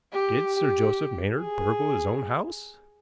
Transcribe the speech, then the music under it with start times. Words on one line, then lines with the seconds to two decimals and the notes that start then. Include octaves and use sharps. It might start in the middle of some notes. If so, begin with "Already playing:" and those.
"Did Sir Joseph Maynard burgle his own house?"
0.13 G4
0.55 G4
1.40 G#4